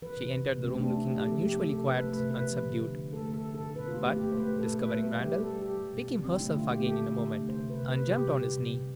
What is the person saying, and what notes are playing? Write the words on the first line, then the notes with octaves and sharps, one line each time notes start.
She entered the room looking unusually quiet and subdued--but, discovering Randal, became herself again in a moment, and jumped on his knee.
E3 B4
C3
C3
C3
A3 C4
C4
A3 D4
C3
A3 G4
F3 A4
F3 G4
A3 G4
C3 A4
C3 B4
A3
B4
C3
B4
C3
F3
D3
D3
D3
A3 A4
D3
A4
D3
A4
D3
B2 B4
F4
A3 G4
A3
G4
A3
C5
A3 B4
A3
A4
B2
A3 B4
G3 B4
G3 G4
G3
A4
G3
G3 G4
G3
B2
G3
D3 C4
A3 E4
D3 F4
A3 G4
G4
D3 A4
A3
D3
A3
C3 C5
C3
B4
C3
C3 B4
C3 G4
G3
C3
C3
C3